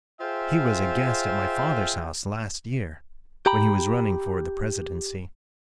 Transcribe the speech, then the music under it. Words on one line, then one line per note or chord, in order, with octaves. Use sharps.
He was a guest at my father's house last year when he was running for the presidency.
F4 G#4 C5 E5 F5 G5
G4 G5 A#5 B5